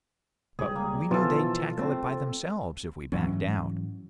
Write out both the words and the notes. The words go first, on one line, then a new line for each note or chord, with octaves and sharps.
But we knew they'd tackle it by themselves if we backed out.
C#2 G3 G#4
A#3
B2 E3 F3 F4 A4
A3 C4
G#2 E3 F#3 C#4